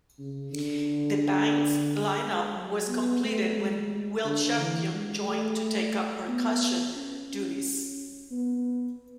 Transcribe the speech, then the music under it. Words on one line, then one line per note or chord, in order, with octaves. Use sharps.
The band's line-up was completed when Will Champion joined to take up percussion duties.
C#3
D3
G#3
F#3
B3
A3
G#3
D3
E3
G#3
A3
B3
C#4
B3